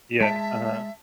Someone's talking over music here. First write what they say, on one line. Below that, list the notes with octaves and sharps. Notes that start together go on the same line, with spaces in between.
Yeah, uh-huh.
G#3 E5 A5 B6